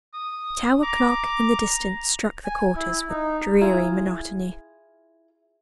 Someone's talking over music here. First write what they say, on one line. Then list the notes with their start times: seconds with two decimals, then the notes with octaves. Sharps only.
The tower-clock in the distance struck the quarters with dreary monotony.
0.14 D#6
0.83 A#5 D6
2.45 G#5
2.76 E4
3.09 D#4
3.61 E4 F4 G#4 A#5